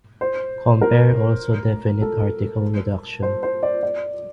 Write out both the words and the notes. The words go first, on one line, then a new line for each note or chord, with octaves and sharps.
Compare also definite article reduction.
C5
A#4
A4
C5
C5
D5
D5